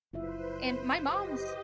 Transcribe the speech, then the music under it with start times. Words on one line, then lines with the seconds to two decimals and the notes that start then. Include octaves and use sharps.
And my mom's
0.13 F#1 E4 F4 B4 C5 E5
1.00 G4 D#5